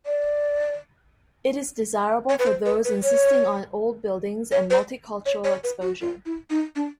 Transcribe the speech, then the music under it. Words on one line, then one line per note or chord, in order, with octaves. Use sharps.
It is desirable for those insisting on old buildings and multi-cultural exposure.
D5
C#5
B4
C5
B4
B4
C#5
C#5
C5
C#5
C#5
B4
F#4
F4
E4
D#4
D4